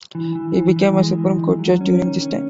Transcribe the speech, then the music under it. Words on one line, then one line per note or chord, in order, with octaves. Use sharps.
He became a supreme court judge during this time.
E3
E3
E3
E3
G#3
E3
D#3
F#3
C#4
D#3
C#4